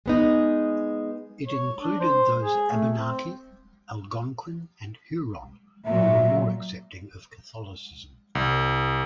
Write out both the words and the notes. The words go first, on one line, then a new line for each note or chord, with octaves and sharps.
It included those Abenaki, Algonquin, and Huron who were more accepting of Catholicism.
G#3 B3 D#4
C#5
D4
C5
G#4
A3
C4
A#2 F#3 E5
C2